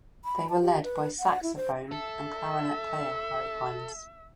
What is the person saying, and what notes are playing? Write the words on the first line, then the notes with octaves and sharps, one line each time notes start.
They were led by saxophone and clarinet player Harry Hines.
B5
A5
G4
B4
F#5
E4
C5
A4 E5